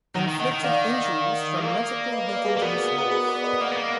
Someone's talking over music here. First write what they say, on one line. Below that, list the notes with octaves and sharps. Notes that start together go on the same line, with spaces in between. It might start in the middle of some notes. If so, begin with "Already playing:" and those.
Inflicted injuries dramatically weakened his health.
D#3 F#5 A#5
D#3
D#3 D#5 F#5
D#3
D#3 D5 F5
D5 F5
A#3
B4 D#5
A#4 D5
G#4 B4
A#3
B3 F#4 A#4
G#4
F#4 A#4
G#4 B4
A#4 D5
B4 D#5
A#3 D#5 F#5
B3
A#3